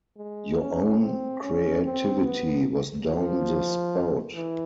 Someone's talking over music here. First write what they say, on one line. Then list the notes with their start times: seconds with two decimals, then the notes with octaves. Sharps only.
Your own creativity was down the spout.
0.17 G#3
0.59 C#4
1.00 C4
1.42 C#4
1.84 C4
2.25 B3
3.09 F3
4.34 E3